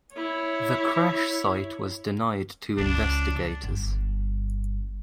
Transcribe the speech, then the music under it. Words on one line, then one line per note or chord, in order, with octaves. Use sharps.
The crash site was denied to investigators.
E4 C#5
C#2 C#3 D4
G1 G2